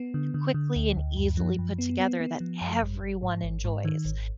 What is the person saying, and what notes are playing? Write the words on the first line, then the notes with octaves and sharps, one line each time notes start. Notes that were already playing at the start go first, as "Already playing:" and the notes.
quickly and easily put together that everyone enjoys.
Already playing: B3
D3
D3
D3
D2
D2
F#2
F3
F#2
B3
B3
B3
F3
F#2
G#1
G#1
G#2
G#1
G#2
D#3
G#1